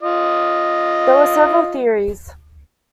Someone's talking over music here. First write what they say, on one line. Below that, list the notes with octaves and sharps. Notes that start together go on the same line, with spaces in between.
There were several theories.
F4 D#5